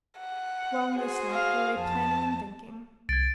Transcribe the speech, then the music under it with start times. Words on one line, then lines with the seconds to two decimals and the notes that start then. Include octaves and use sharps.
Long this night he lay planning and thinking.
0.19 F#5
0.96 F#4 G#4 C5
1.32 F5
1.80 F2 A5
3.09 C2 G#6 A6 D7